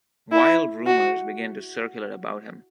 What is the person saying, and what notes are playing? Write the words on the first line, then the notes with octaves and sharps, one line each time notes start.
Wild rumors begin to circulate about him.
E4
F#4